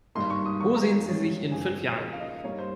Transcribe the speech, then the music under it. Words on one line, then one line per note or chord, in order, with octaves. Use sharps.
Wo sehen Sie sich in fünf Jahren?
G#1 G2 G3 A#3 D#4 C6
C#6
D#6
G#1 G#2 D#3 G3 C#6
A#5
G#2 D#3 G3 C#4
G1 F2 C#3 G#3 G#5
C#5
D#2 C#3 F3 A#3 D#5
F5
D#5
G2 G3 A#3 D#4 C#5
C5